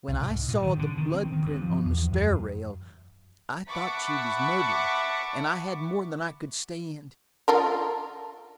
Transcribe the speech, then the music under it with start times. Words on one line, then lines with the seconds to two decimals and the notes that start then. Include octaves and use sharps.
When I saw the blood print on the stair rail, I thought she was murdered, and I had more than I could stand.
0.08 C2
0.21 G#2
0.48 A#2
0.62 D#3
0.79 D3
0.97 D#3
1.14 C4
1.32 D#3
1.46 G2
1.62 F3
1.85 E2
2.12 F#2
3.69 E5 F#5 A5 B5 C#6 D6
7.48 F4 A4 A#4